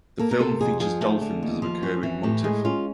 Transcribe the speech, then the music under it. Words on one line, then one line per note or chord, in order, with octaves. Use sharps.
The film features dolphins as a recurring motif.
A#3 A4
A#4
C3 A4
F2 G#4
F3 G#4
A3
D3
D#2
F3
C#4 F#4
E3
A2 G4
G#3 G#4
C#4 F4